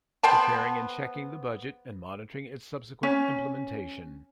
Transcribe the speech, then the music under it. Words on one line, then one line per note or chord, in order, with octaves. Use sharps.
Preparing and checking the budget and monitoring its subsequent implementation.
B3 C5 G5 A5
C#4